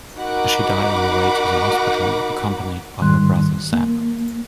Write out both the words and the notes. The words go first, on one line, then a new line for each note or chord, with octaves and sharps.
She died on the way to the hospital accompanied by her brother Zab.
D#4 F#4 A#4 F#5 B5 D6
G#2 D#3 G3 C6 F#6
A#3